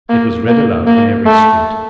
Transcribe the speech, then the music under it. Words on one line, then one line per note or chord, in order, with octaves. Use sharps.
It was read aloud in every street.
A#3
A#3
A#3
A3